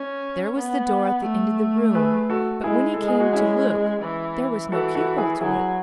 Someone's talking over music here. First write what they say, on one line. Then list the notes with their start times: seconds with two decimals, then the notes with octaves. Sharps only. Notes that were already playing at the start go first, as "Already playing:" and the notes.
There was the door at the end of the room, but when he came to look there was no key-hole to it.
Already playing: C#4
0.57 B3
1.25 A3
1.95 G#4 B4
2.30 F#4 A4
2.64 G#3 E4 G#4
2.94 A4
2.99 G#3
3.08 G#4
3.20 F#4
3.33 C#4 E4
4.03 E3
4.72 E3 F#4 A4
4.95 F#4 A4
5.18 E4 G#4
5.41 F#3 E4 G#4